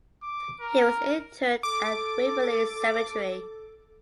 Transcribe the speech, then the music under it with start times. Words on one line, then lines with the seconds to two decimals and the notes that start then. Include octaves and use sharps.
He was interred at Waverley Cemetery.
0.23 D6
0.60 A#4
1.63 A4 D6